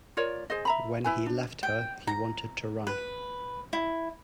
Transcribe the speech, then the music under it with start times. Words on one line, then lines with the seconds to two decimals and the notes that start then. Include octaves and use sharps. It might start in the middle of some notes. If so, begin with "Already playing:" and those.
When he left her, he wanted to run.
0.17 F4 A#4 C#5 D5
0.50 G#4 C5 D#5
0.65 E5 A#5 B5
1.04 E4 B4 G#5
1.26 D4
1.63 G5
2.07 A#5
2.87 B4
3.73 E4